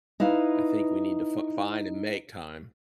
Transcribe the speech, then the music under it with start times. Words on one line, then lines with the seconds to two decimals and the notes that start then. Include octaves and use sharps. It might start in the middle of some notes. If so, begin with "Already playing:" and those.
I think we need to fi find and make time.
0.20 D#4 E4 B4 F5